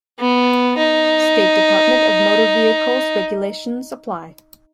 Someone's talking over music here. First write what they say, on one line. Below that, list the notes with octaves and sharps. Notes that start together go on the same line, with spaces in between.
State Department of Motor Vehicles regulations apply.
B3
D#4